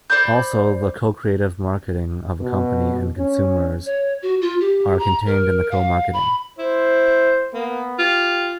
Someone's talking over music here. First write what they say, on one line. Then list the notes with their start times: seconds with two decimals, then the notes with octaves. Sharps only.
Also the Co-creative marketing of a company and consumers are contained in the co-marketing.
0.10 C5 D5 B5 G6
2.41 B2
3.18 C#4
3.86 C#5
4.22 F#4
4.41 F4
4.61 G4
4.99 A#5
5.26 A#4
5.71 F5
6.13 B5
6.58 E4 C5
7.54 A#3 B3
7.99 F4 G4